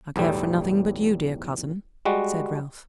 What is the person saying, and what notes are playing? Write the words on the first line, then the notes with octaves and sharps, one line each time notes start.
"I care for nothing but you, dear cousin," said Ralph.
B1 E2 A2 G3
G3 G#3 F#4